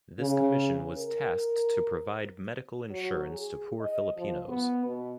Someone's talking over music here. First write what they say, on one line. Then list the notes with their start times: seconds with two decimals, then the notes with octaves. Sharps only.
This commission was tasked to provide medical insurance to poor Filipinos.
0.20 C#3
0.98 A#4
2.90 F#3
3.29 G#4
3.80 D#5
4.17 F3
4.48 B3
4.86 B2